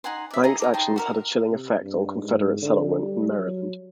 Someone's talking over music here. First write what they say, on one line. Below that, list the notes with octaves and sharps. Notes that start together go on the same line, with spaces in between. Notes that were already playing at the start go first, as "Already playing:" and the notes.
Banks's actions had a chilling effect on Confederate sentiment in Maryland.
D#4 F#5 G#5 C6
D5 E5
D#4 G#4 D#5 A#5
D#4 A4 D6
D#4 G5 A5 C6
F#4 A4 A#4
C3
G2
G#2
D3
G3
F#3